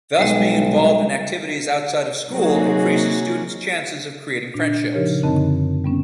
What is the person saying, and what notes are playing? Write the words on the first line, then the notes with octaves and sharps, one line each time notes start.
Thus, being involved in activities outside of school increases student's chances of creating friendships.
B1 G3 G#3 D#5
C3 F#3 A#3 D#4 F#4 G#4
A#2 D4
C#3 F3 D#4 G4 A#4 C#5
F#2 D3 C4 D#4 D#5 A5
G3 B3 C#4